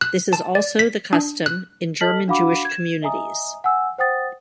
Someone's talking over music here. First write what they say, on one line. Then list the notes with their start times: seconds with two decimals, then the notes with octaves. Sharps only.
This is also the custom in German Jewish communities.
0.01 F#6
0.33 A5
0.55 D5
0.79 B6
1.13 D4
1.46 F#6
2.01 A4 D#5 A5 F6 B6 F#7
2.28 D4 F#4 F5 F#5 B5 D6
2.65 G#6 E7
3.02 D#5 E5 G#5 A#5 D#6
3.64 F#5 G#5 E6
3.98 C5 F#5 G5 D#6 A6